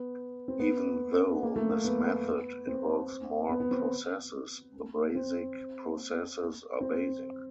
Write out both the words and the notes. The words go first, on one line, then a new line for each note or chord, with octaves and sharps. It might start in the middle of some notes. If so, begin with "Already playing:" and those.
Even though this method involves more processes, the basic processes are basic.
Already playing: B3
C4
B3
A#3
A3
A#3
B3
C4
B3
B3
C4
C4
C4